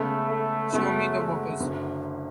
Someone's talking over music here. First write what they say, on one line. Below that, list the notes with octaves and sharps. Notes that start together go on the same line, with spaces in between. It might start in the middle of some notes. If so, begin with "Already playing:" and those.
Show me the workers.
Already playing: C#3 G#3 A3 B3
A3
F#2 C#3 G#3 A3 B3 F#4
A3
F#1 F#2 D3